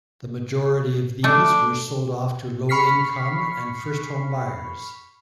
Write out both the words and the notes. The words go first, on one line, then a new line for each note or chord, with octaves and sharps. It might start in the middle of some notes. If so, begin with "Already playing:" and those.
The majority of these were sold off to low income and first home buyers.
A3 D4
B5 C#6 F6 B6 C7